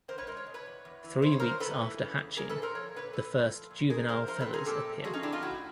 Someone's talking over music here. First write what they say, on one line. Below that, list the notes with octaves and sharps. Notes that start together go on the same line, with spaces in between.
Three weeks after hatching, the first juvenile feathers appear.
E2 A#4 C5
B4 C#5
G#3 A#4 C5
C#5
B2
B4 C#5
E2
E2
E3
C#3 C5
C#5
E2 A#4 C5
E2 A4 B4
E3
C#3
E2
A#2 G#4 A#4
A4 B4
A3
A#4 C5
F3 C#5
A#2 B4 C#5
A#2 A4 B4
A3
F3
A#2
A#2 G#4 A#4
A3 A#4 C5
F3 A#4 C5
A4 B4
C4
G#4 A#4
A#2 G4 A4
A3
F3 F#4 G#4
C#4 D#4
C4 D4 E4
D#4 F4
A2 E4 F#4